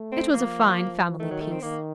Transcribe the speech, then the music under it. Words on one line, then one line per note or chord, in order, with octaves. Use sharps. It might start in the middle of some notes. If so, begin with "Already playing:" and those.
It was a fine family-piece.
Already playing: A3
C4
F3 A#3
D#3 A3
F#3
A3
C4
D#3 A#3